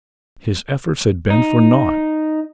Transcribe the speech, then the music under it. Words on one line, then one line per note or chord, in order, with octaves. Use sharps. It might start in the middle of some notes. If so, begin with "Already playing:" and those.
His efforts had been for naught.
D#4